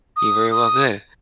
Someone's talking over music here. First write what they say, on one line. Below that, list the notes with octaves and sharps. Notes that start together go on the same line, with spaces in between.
You very well could.
D#6
D#6